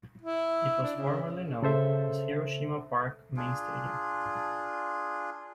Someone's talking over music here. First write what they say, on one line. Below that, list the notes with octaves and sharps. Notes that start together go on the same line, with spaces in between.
It was formerly known as Hiroshima Park Main Stadium.
E4
D4
C#3
C#3 A4 C5 E5
D4 F4 G#4